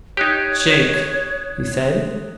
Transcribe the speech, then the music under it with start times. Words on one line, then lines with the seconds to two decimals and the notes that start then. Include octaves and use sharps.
"Shake!" he said.
0.17 D#4 G4 C#5 D#6 F#6 G#6